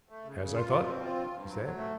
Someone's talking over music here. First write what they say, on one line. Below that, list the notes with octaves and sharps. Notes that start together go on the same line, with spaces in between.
"As I thought," he said.
A3
C#3
C#3
F4
B2
C4
F4
G2
G2
F#3
F#3
A3